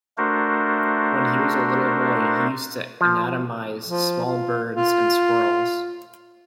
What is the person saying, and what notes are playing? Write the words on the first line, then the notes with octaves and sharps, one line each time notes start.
When he was a little boy he used to anatomize small birds and squirrels.
A3 D4 F#4 A#4 C5
F3
F3
F4
F4